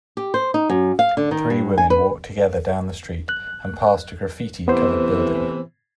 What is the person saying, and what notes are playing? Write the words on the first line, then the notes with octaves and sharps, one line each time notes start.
Three women walk together down the street and past a graffiti covered building.
G4
C5
D#4
F#2
F5
D3
D#3
G2
G#5
B4
F#6
A2 C3 E3 B3 C5